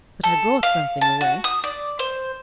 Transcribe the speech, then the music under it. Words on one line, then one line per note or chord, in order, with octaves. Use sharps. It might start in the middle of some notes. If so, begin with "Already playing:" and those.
But I brought something away.'
A4
F5
A5
F#4
D#6
D5
C5